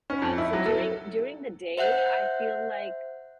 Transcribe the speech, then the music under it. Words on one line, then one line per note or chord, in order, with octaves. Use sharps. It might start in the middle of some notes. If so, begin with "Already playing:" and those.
yeah, so during during the day, I feel like,
C#4
F2
E4
F#3
A4
C5 E5 F#5 F#6 G6